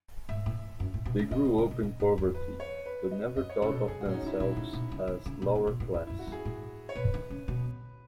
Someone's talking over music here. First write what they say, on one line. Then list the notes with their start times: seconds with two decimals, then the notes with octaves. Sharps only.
They grew up in poverty, but never thought of themselves as lower class.
0.29 G#2 E5
0.46 A2
0.80 F#2
0.94 A2
1.05 B2
1.19 C#3
1.31 C#3 D#5
1.45 B2
1.58 C#3
1.71 B2
1.83 A2
2.00 G#2
2.18 E2
2.34 B4
2.60 C#5
2.86 B4
3.11 D#5
3.37 F#2 D#5
3.49 C#5
3.62 C#3 A4
3.71 B2
3.75 A4
3.88 F#2 G#4
4.01 F#4
4.05 A2
4.09 C#4
4.14 D#4
4.22 C#3
4.26 E4
4.40 B2 E4
4.57 A2
4.73 B2
4.91 C#3
5.07 D#3
5.26 C#3
5.42 B2
5.55 C#3
5.67 B2
5.80 A2
5.94 E2 E4
6.07 F#2 E4
6.19 F#4
6.27 F#2
6.32 G#4
6.45 A2
6.89 C#5
6.95 B2 B4
7.14 D#3
7.30 C#3
7.48 B2